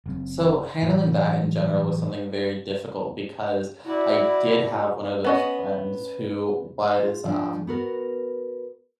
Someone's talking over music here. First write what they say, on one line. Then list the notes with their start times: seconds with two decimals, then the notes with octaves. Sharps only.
So, handling that in general was something very difficult, because I did have one of those friends who was, um
0.06 F#1 C4
0.83 A2 E3 F#3
3.85 E4 F#4 D5
5.24 B3 C#4 D#5
7.00 F4
7.25 F3 D4
7.67 B3 F#4 A#4